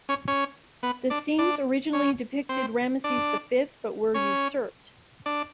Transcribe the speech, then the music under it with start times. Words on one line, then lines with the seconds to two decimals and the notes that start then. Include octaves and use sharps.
The scenes originally depicted Ramesses the Fifth but were usurped.
0.09 C#4 C#5
0.28 C#4 C#5
0.83 B3 B4
1.10 D4 D5
1.38 D4 D5
1.93 C#4 C#5
2.49 C4 C5
3.04 D4 D5
4.14 C#4 C#5
5.26 D4 D5